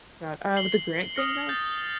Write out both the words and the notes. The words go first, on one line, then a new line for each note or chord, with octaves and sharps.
God, uh, with the Grant thing though,
C7 F#7 G7
D#6 F6 A#6 C#7
G6 A6